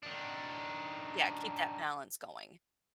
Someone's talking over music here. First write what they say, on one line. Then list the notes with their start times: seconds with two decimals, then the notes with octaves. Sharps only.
yeah, keep that balance going,
0.03 D#3 D4